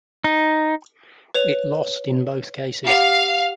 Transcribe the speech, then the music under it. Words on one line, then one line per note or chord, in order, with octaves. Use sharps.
It lost in both cases.
D#4
B4 C#5 F7
G4 F5 F#5 C7